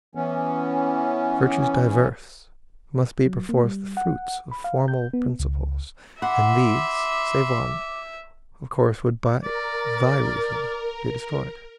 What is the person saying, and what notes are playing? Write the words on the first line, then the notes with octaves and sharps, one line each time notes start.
Virtues diverse must be perforce the fruits Of formal principles; and these, save one, Of course would by thy reasoning be destroyed.
E3 B3 C#4
F#3
A#3
G3
F#5
B5
F5
G6
B3
C#2
E5 F#5 B5 C6 D6
A#4 D5